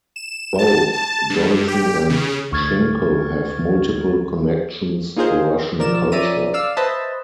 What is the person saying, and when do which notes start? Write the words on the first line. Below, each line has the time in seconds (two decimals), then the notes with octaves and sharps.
Both Johnson and Shinkle have multiple connections to Russian culture.
0.16 E7
0.59 A5
0.93 A5
1.30 G2
1.68 G4
2.10 C#3
2.52 D2 C#6 F6 G#6 A6
5.17 A#3 D#4 F4 G#4 A#4 C5
5.78 B1 F3 A#4 D5 E7
6.12 F3 C#4 D5 E5 A#5 D#7
6.54 D5 F5 E6
6.77 B4 C5 D#5 E5 A5